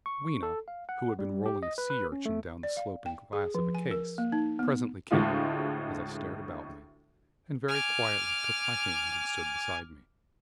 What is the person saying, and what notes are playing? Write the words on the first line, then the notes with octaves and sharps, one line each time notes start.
Weena, who had been rolling a sea urchin down the sloping glass of a case, presently came, as I stared about me, and very quietly took my hand and stood beside me.
C#6
A4
F5
F#5
G3
G4
D#5
B4
B4
C#4
A3
D5
F5
G5
G#4
F3
G#5
A#4
A#3
D#4
B3
D2 A2 G#3 F4
G#5 D6 F6